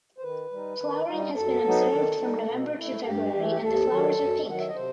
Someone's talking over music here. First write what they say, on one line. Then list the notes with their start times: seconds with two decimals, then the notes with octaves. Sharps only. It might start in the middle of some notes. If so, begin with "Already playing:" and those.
Flowering has been observed from November to February and the flowers are pink.
0.18 C5
0.23 D#3 B4
0.51 G3 D#4
0.80 D#3
1.08 G3 D#4
1.36 F#2 A4
1.65 F#3 B3 D#4
1.93 D#3
2.22 G3 D#4
2.49 B2
2.78 A3 E4
3.01 A4
3.06 G2 G4
3.35 E3 A3
3.51 G4
3.63 D#2 A4
3.91 D#3 F#3
4.20 F#2
4.47 D#3 F#3 F#5
4.59 E5
4.68 D#5
4.75 C3 C5